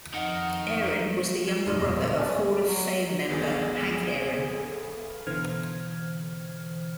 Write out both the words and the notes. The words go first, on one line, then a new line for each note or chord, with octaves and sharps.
Aaron was the younger brother of Hall of Fame member, Hank Aaron.
F2 D#3 F3 D#5 F#5
G#6
E1 F#2 D#4 D5 C6 F6
A#1 E2 D#5 A#6
D1 D3 B3 C5 E5
A4 B4 C#5 D5 G#5 A5
F#3
G1 D2 B3 G#4
B2 D3 E3 C5 F6 G#6